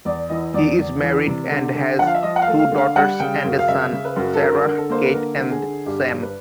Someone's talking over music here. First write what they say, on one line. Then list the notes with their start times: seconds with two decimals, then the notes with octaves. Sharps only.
He is married and has two daughters and a son, Sarah, Kate and Sam.
0.05 E2 D5
0.29 E3 D#5
0.53 E2 D5
0.78 E2
1.02 E3
1.27 C3
1.51 D3
1.74 D3
1.99 F3 F#5
2.07 F5
2.15 E5
2.23 F3 D#5
2.36 F#5
2.42 F5
2.47 A3
2.59 F5
2.71 D3
2.78 F5
2.96 G3 F#5
3.20 C#3 G5
3.44 F#2
3.59 F5
3.68 C#3 E5
3.93 C#3
4.05 B4
4.16 F#2
4.34 A4
4.41 D3 A#4
4.65 D3
4.77 A4
4.90 A#3 C5
5.03 B4
5.14 D3 A#4
5.38 D3
5.50 G#4
5.62 D3
5.86 G2 G4
6.10 G2
6.22 B4